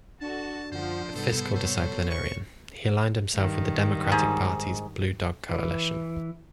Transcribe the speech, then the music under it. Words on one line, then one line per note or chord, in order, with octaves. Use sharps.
A fiscal disciplinarian, he aligned himself with the Democratic Party's Blue Dog coalition.
D4 F#4 A4 A5
F#2 D3 F3 F4 C5 F#5
G#2 C3 G3 B3 A4 C5
C5 C#5
C5 C#6
G2 D#3
G#2
E3